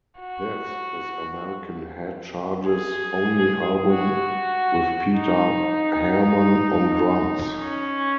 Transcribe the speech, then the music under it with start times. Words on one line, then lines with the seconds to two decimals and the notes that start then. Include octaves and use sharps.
This is American Head Charge's only album with Peter Harmon on drums.
0.20 F#4
2.67 G#4
3.91 F#4
5.14 D#4
7.61 C#4